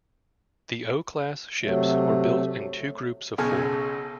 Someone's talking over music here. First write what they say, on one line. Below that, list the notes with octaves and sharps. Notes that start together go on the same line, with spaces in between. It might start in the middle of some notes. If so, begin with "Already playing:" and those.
The O-class ships were built in two groups of four.
C3 F#3 A3
B1 C#3 A4 G#5 C#6 F6